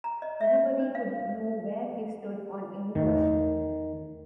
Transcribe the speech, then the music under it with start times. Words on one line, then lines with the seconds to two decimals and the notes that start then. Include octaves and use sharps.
Anybody could know where he stood on any question.
0.04 A#5
0.22 D#5
0.41 E5
0.79 D4
0.95 F5
2.95 E2 D#3 A3